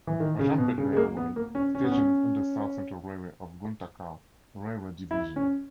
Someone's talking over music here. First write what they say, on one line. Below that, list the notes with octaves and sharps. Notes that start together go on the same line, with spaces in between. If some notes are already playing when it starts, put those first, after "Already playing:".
Rajampet railway station is under South Central Railway of Guntakal railway division.
E3
D#3
C#3
B2
C#3
G#3
A#3
B3
A#3
C#4
C#4
B3
C#4
E4
C#4